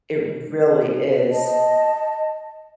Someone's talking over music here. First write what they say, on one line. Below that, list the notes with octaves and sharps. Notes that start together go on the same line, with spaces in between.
It really is.
D#5 A5